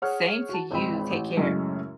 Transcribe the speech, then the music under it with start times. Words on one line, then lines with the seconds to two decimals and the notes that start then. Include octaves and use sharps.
Same to you. Take care.
0.02 G#4 C#5 F#5 F6
0.49 F#4 A5
0.71 G#1 C#2 G#3 C4 B5
1.11 A1
1.37 F#2 A2 C#3 G#3 C#4